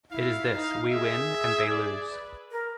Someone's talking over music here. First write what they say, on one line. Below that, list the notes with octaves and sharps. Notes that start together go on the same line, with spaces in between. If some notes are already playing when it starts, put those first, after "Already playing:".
It is this: We win and they lose.
E4 F5
D#4
G#4 E5
D5
B4
A#4